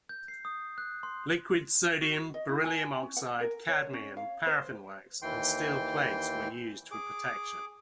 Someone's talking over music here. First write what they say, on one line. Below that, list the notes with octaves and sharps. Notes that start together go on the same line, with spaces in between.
Liquid sodium, beryllium oxide, cadmium, paraffin wax and steel plates were used for protection.
G6
C7
D#6
F#6
C6
F#4
D#5
E4
G#5
C#4
F#5
A#4
C#5
C#4
F5
C5
D#2 E3 G5 C6
G#4 D6